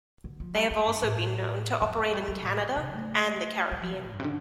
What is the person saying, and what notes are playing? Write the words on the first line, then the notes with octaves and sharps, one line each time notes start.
They also have been known to operate in Canada, and the Caribbean.
D3
F3
G3
G3
G2
A2
F2
F3
G3
G3
C3
A2
C3
A3
G3
F3
C3
A2
G2
C3
D3